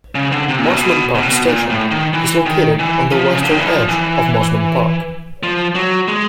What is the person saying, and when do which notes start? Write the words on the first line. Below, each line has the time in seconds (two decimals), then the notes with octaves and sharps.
Mosman Park station is located on the western edge of Mosman Park.
0.15 C#3
0.32 D3
0.49 C3
0.59 A#2
0.66 B2
0.77 C3
0.81 B2
1.15 B2
1.22 C3
1.29 B2
1.47 A#2
1.70 A2
1.91 D#3
2.14 E3
2.46 D#3
2.79 E3
3.12 F3
3.35 C#3
3.43 D3
3.50 D#3
3.59 E3
3.67 F3
3.89 E3
5.43 F3
5.75 F#3
6.08 G#3